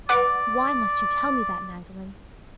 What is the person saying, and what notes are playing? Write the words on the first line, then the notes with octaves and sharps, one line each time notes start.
"Why must you tell me that, Magdalen?"
B4 D5 F#5 D6